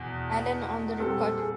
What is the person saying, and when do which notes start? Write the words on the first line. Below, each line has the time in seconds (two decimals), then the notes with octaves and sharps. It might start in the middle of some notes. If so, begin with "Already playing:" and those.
Allin on the record.
Already playing: E2 B2
1.00 A#2 G3 C4 A4
1.38 G#4